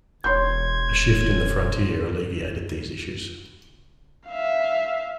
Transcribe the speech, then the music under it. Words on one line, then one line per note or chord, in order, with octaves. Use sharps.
A shift in the frontier alleviated these issues.
E1 C#5 C6 G6 G#6
E5 F5